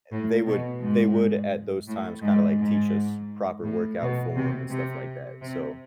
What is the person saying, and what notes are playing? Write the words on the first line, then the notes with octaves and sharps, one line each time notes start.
they would they would, at those times, kinda, like, teach us proper workout form and stuff like that, so
A2
B2
G#2
A2
G#2
G#2
A2
B2
C3
C3
C3